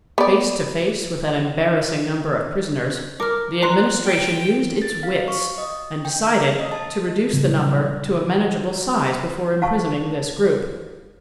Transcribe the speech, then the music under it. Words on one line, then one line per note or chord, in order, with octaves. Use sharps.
Face to face with an embarrassing number of prisoners the Administration used its wits and decided to reduce the number to a manageable size before imprisoning this group.
B3 D5
A#4 D6 F6
A#5 C6 F#6
G5
A6
F5
C#6
D#5
G5
D#5
A5
A#2 C#3 F#3 G3
F5 A5 C#6